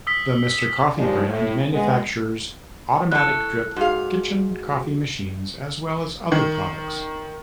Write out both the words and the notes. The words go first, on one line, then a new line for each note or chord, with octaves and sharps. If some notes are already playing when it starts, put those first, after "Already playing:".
The Mr. Coffee brand manufactures automatic-drip kitchen coffee machines as well as other products.
D#6 E6 B6
D#2 F3 G#3 D#4 G4 D5
A2
G#3 B3
A2 A4 F#6
G#2 F#4 G#4 F5
D#3